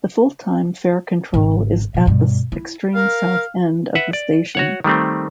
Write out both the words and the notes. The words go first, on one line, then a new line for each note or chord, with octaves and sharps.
The full-time fare control is at the extreme south end of the station.
G#1 C#3
B2 F3
G2 B2
E4
A#4 F5
B4 E5 F#5
D5
F#4 C#5 F#5
D#3 G3 A3 C4